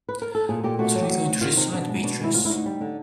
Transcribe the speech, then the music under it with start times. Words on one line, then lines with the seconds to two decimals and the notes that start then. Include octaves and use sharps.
What are you going to recite, Beatrice?
0.09 B4
0.22 A#4
0.35 A4
0.49 A#2 G#4
0.64 A#2 G4
0.79 A3 F#4
0.95 F#3
1.03 G4
1.10 D2 F#4
1.26 D2
1.41 D#3 F4
1.57 C3 D#4
1.72 B2 D4
1.88 G#3
1.95 D#4
2.03 B2 D4
2.19 G#3 E4
2.34 D2 F4
2.45 E4
2.49 D2 D#4
2.66 G3
2.81 D3